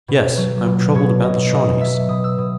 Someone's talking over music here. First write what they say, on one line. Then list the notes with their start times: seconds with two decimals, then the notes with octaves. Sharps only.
Yes, I am troubled about the Shawnees.
0.08 B2
0.37 F#3
0.66 B2
0.95 B2 C#5
1.23 B2 D#5
1.52 B2 D#5
1.81 F#3 E5
2.09 B2 D#6
2.24 E6
2.38 B2 D#6